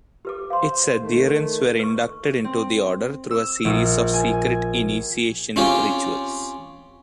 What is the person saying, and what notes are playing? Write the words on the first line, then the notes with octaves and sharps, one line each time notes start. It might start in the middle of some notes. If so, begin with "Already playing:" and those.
Its adherents were inducted into the order through a series of secret initiation rituals.
G4 B4 D6
C5 F5 C6
D#3 A3
B4 C#6
C4
E6
A#1
G#5
C4 C#4 F4 G4